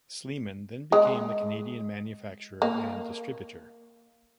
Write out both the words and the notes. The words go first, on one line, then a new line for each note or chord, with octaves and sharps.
Sleeman then became the Canadian manufacturer and distributor.
G#3
A#3